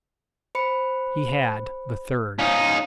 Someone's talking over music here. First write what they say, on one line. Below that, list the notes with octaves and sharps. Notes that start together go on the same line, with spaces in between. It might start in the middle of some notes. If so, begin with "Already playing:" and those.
He had--the third.
C5 B5 C#7
C#4 D#4 F5